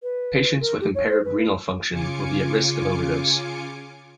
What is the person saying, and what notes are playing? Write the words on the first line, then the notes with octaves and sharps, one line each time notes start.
Patients with impaired renal function will be at risk of overdose.
B4
A#4
G4
C#5
C5
B4
C#3 F4 G#5 D6 C#7